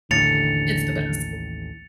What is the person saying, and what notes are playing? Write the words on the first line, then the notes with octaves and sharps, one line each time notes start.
It's the best.
A1 D#2 A2 D3 A6 C#7 F7